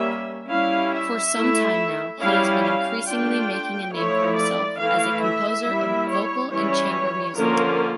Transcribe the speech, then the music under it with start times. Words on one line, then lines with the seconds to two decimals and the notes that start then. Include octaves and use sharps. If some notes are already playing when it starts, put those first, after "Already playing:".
For some time now, he has been increasingly making a name for himself as a composer of vocal and chamber music.
Already playing: G3 A#3 C#4 E5
0.49 G3 C#4 E4 F5
0.92 E5
1.35 A3 E4
2.21 G3 C#4 E4 F5
2.64 F5
3.07 A3 D4 F4 G5
3.92 F3 A3 E4 C#5
4.35 D5
4.79 E3 A3 E4 F5
5.22 E5
5.65 G3 A#3 E4
6.08 C#5
6.50 E3 G3 C#4 E4 C#5
7.36 D3 F3 A#3 C#4 F4 A#4